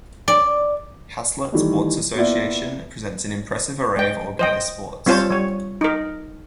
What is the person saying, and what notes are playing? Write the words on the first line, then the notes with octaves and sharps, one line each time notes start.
Haslet's Sports Association presents an impressive array of organized sports.
D5
D#3 E3 G3 A3
A#3 B3 E4 F4 D5 E5
G#3 G5
C5 D#5 G5
G3 C4 F4 C5 C#5 A5
G3 C#5
D#4 A#4